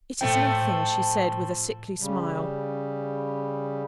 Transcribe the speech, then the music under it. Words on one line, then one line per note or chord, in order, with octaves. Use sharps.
'It is nothing,' she said, with a sickly smile.
A2 F3 A3 G5
C#3 G3